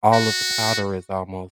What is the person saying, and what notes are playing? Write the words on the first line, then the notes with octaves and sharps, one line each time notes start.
all of the powder is almost
F#4